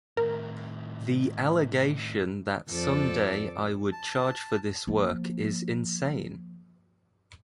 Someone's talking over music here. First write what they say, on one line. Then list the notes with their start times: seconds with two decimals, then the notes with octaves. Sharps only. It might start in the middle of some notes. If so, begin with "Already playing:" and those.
The allegation that someday I would charge for this work is insane.
0.17 A2 D#3 A#4
2.69 F2 A4 D5
3.92 A5
4.87 F3 A#3